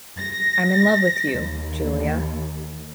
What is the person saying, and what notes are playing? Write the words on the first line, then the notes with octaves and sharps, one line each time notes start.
I’m in love with you, Julia.
A#6
D#2